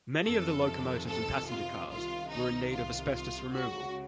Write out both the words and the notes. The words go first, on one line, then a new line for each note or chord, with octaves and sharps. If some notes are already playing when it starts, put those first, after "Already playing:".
Many of the locomotives and passenger cars were in need of asbestos removal.
F2 C3 D#3 A4
A4
F4
C2 C3 D#3 F4
D#4
F4
F4
C#2 C#3 F#4